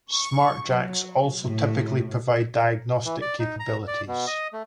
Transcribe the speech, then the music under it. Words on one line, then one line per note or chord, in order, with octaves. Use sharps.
Smartjacks also typically provide diagnostic capabilities.
C#6
F#3
A2
E3
D5
D#4
A#5
D5
B2
D#5
A3